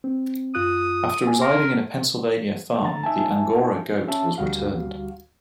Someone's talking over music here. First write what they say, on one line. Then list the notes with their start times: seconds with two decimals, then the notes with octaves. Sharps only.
After residing in a Pennsylvania farm, the Angora goat was returned.
0.04 C4
0.55 F#2 F4 D#6 F#6
1.27 A#3 G#5
1.42 A#4 C6
2.82 D3 A3 A#5 A6
3.03 D#4 E5 G#5 A5
4.08 C#4 E5 A5
4.38 D2 G3 F#4 F5